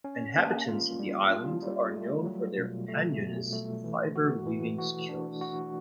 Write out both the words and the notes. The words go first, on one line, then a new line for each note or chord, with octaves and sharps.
Inhabitants of the islands are known for their pandanus fiber weaving skills.
C#4
A#3
F4
G3
F4
G3
A3
F#3
B2
A3
B2
A3
E3
F#4
E3
F#4
D4
F#4